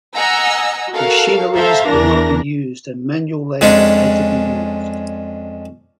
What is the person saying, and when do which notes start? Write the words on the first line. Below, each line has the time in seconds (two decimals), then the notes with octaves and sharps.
Machineries could not be used and manual labor had to be used.
0.14 D#5 F#5 G#5 A#5 E6
0.93 F#4 A4 A#4 F5
1.56 A4 C5 E5 F5 A#5
1.88 E2 E3 D4 A#4 A#6
3.61 F2 G#3 C#4 D4